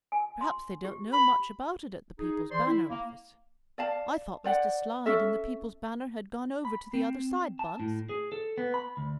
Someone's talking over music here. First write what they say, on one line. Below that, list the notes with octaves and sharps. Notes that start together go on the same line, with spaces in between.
"Perhaps they don't know much about it at the People's Banner office. I thought Mr. Slide and the People's Banner had gone over to the other side, Bunce?"
G#5
C6
G4
B5
D#4 G#4
E3 C5 D5 C6
E4
A#3
D5 F5 A5
C5 D5 F#5
C#4 A4 E5
B5
C4
A5
A2
G#4
A4
B3
B5
D2